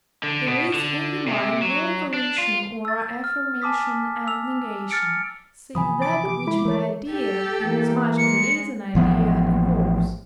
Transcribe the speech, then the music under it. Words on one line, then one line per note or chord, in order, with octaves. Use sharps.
There is in the mind no volition or affirmation and negation, save that which an idea, inasmuch as it is an idea, involves.
D3
B2
D3
C3
F#3
D4
F4
E6 A6
F6
G#5 A5 D6 D#6 B6
E6 F7
F6 A6 C#7 D7
C3 E3 F3 G#5 B5 D#6
D6 A6
G4
G#3 E4 B5
E3 A#4 C#5
G4 A4
E3 A#3
G#3 C#7
A1 F3 B3